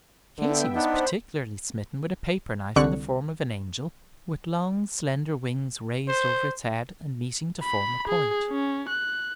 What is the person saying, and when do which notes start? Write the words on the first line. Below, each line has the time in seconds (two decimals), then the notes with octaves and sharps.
Katy was particularly smitten with a paper-knife in the form of an angel with long slender wings raised over its head and meeting to form a point.
0.39 D3 B3 E5 G5
0.75 B3 D4 D#4 C5 B5
2.76 C2 D3 C#6 F#6 C#7
6.08 C5
7.63 B5
8.08 G#4
8.50 C#4
8.88 F#6